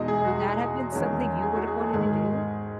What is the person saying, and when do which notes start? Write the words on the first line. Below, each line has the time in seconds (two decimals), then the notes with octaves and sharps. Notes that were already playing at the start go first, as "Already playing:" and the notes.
Would that have been something you would have wanted to do?
Already playing: E2 B2 G#3 D#4 D#5
0.08 G#4
0.25 F#4
0.41 G#4
0.92 E2 D#3 G#3 C#4
1.42 G#4
1.56 F#4
1.67 G#4
1.81 A4
1.93 G#2 D#3 G#3 G#4